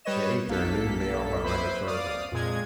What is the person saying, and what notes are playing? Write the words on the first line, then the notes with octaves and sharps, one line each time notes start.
They ate their noon meal behind a third one.
G3 B4 C#5 D#5 E7
B1 A#3 A4 B6
E4 B4 C5 B5
D5 F5 D#6
F2 A#2 G#3 G#6